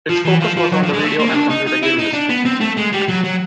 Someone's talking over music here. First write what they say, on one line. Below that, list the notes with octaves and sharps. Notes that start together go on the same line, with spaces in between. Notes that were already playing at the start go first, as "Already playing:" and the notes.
Its focus was on the video and computer game industry.
F3
E3
F3
F3
F#3
F3
G#3
A3
A#3
C#4
D4
D#4
D#4
E4
D#4
D4
B3
C4
A3
G#3
G3
F#3
F#3